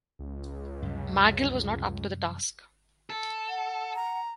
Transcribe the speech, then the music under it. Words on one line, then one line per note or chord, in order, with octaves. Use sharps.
Magill was not up to the task.
C#2
F#2 C3 G3
A4
F#5
A#5